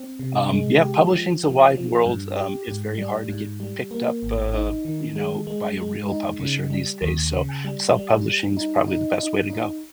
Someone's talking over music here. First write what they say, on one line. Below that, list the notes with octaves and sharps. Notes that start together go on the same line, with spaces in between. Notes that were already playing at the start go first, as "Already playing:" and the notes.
um, yeah, publishing's a wide world, um, it's very hard to get picked up, uh, you know, by a real publisher these days, so self-publishing's probably the best way to go.
Already playing: C4
C3
G#3
G4
F3
F3
F3
G2
G4
G#2
G3
G#2
G3
A#3
G#1
D#4
D#3
G#3
G#3
G#3
D#4
C#3
G3
D#2
C#3
G3
G3
G3
D#4
D#4
D#4
D#4